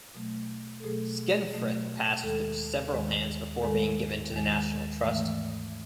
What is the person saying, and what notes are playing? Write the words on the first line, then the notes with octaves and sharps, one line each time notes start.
Skenfrith passed through several hands before being given to the National Trust.
B2 F#3 A3
A4
B2 F#3 A3 G#4
B2 F#3 A3
D#2 D#3 G#3 A4
D#2 D#3 G#3
D#2 D#3 G#3 A4
D#2 D#3 G#3
G#2 E3 A3